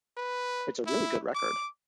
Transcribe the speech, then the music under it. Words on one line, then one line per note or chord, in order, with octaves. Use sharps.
It's a really good record.
B4
E4
D6